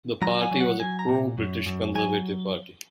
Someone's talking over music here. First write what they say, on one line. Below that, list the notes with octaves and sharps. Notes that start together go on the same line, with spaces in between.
The party was a pro-British conservative party.
F#3 A#5
G#5
F#3
F#5
F#3 G#5
A#5
A#2
F#2
F#2
F#3 G#5